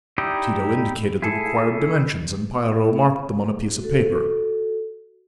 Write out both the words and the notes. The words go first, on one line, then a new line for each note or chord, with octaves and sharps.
Tito indicated the required dimensions, and Piero marked them on a piece of paper.
D#4 E4 G4 D5 D#5
E4 G#4 A4
F#4 A4